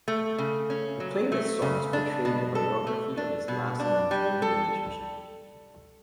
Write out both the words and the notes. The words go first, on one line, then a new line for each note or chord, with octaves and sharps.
The playlist songs portrayed the biography of his last and enduring relationship.
A3
C#3
C#4
F#3
A3
C#3
D4
B2
A4
A3
D4
B2
D4
G3
A4